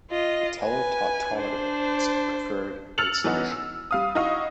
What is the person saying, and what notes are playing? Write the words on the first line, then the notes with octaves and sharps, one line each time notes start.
The tele-tautomer is preferred in solution.
F4 D#5
B4 G#5
D4 C5
E6 F6 A6 C#7 F7 F#7
E3 F#3 B3 D#4 F#4
E6
G3 F5 D#6
D#4 E4 F#4 D#5 F5 C#6